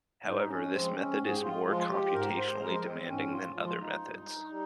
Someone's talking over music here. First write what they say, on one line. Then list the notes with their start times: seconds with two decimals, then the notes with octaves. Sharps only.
However, this method is more computationally demanding than other methods.
0.24 G#2 D#4
0.48 C#4
0.71 F3 G#3 C4
0.95 C#4
1.19 G#2
1.25 G#4
1.34 G4
1.43 F4
1.66 F3 G#3 F4
1.90 G4
2.13 G#2 A#4
2.37 C5
2.56 G#4
2.60 F3 G#3 A#4
2.84 C4
2.96 C4
3.08 G#2 C#4
3.32 F4
3.55 F3 G#3 F4
3.79 D#4
4.02 G2
4.50 G3